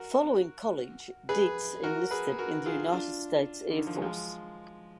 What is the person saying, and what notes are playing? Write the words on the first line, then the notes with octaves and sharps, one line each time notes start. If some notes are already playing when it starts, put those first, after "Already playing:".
Following college, Deetz enlisted in the United States Air Force.
Already playing: F#4 A#4
G#4 B4
F#4 A#4
G#4 B4
F#4 A#4
F4 G#4
D4 F4
D3
D#3
F3
F#3
F3 G#3